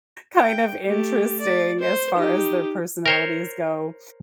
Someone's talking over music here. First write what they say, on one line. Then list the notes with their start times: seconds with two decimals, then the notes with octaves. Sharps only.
kind of interesting as far as their personalities go,
0.37 G5
0.85 A3 G4
1.40 D5
1.79 C5
2.16 D#4 G4
3.06 A#4 C5 C#5